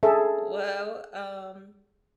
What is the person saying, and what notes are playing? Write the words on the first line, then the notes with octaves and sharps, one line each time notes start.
Well, um
G#4 A4 E5